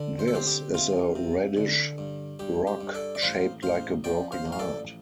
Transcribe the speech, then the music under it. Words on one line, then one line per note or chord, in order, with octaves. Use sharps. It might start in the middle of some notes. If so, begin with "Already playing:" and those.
This is a reddish rock shaped like a broken heart.
Already playing: D3
C5
A4
C4 G4 C5
G4
C3 F4
C3
D3
G2
G2 G4
G4
G2
A4 D5
D5
A1 C5 F5
A1 C5 F5
F3 D5 G5
C5 F5
A1
F5
A4 D5